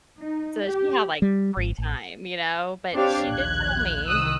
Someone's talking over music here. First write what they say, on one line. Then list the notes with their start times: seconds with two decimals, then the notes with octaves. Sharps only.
So, she had, like, free time, you know? But she did tell me
0.20 D#4
0.66 G4
1.22 G3
1.57 G#1
1.78 A1
2.94 C4 D4 G4 C#5 F5 G5
3.29 A#1 D#2 F#6 G#6
4.07 C2 D#3 D#6 E6 F#6